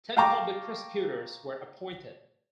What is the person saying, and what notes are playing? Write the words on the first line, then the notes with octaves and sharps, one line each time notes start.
Ten public prosecutors were appointed.
F5 G5 A5 A#5 C#6 D6